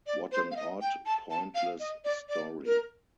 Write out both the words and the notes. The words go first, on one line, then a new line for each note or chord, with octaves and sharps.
What an odd, pointless story!
D5
C5
F5
D#5
G5
A5
A5
F5
D#5
D5
D5
A#4